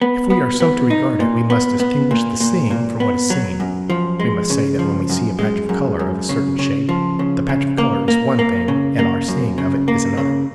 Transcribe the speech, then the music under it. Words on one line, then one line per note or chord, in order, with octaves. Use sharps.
If we are so to regard it, we must distinguish the seeing from what is seen: we must say that, when we see a patch of colour of a certain shape, the patch of colour is one thing and our seeing of it is another.
B3
B3
B3
D#4
A#2
B3
B3
A#2
A#2
A#2
B3
F#3
F#2
F3
G#3
C#3
F3
F#2
G#3
F#2
F#2
C#3
C#3
F3
C#3
C#3
A#3
A#3
A#3
C#3
A#3
F#2
C#3
A#3
C#3